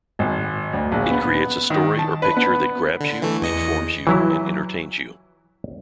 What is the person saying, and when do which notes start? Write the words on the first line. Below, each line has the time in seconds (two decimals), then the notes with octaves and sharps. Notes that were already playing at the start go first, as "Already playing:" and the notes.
It creates a story or picture that grabs you, informs you and entertains you.
0.19 G#1
0.73 D2
0.92 A#1
1.11 B3
1.70 D#3
1.99 A5
2.22 B4
2.37 B3
3.01 D3
3.22 E3 A3
3.42 E2 D#5 C#7
4.07 E3 F#3 E4